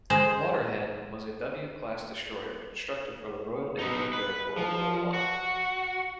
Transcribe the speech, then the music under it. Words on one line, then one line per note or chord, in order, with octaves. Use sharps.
"Waterhen" was a W-class destroyer constructed for the Royal Navy during World War One.
G#3 C5
B3 D#4
B4
F3
F#4